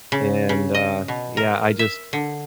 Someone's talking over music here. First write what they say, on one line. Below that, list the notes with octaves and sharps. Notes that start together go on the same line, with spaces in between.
and uh, yeah, I just
C#3
C#3
D#5
B2
A#4
E5
D3